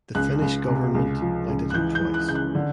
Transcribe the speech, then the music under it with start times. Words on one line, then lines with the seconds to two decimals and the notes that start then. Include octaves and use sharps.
The Finnish government knighted him twice.
0.15 C#2 F#6
0.42 C#2
0.68 C3
0.95 C#2
1.22 F3
1.48 C#2
1.70 F#6
1.74 E3 G6
1.95 G6
2.01 E3
2.14 F#6
2.28 C#3 G6
2.35 F#6
2.55 D3